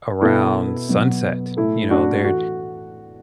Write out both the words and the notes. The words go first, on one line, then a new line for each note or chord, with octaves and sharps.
around sunset, you know, they're,
B2 B3 E4 A4
B2 F#3 B3
A2 A3 E4
D4 F#4
E3 A3 F#4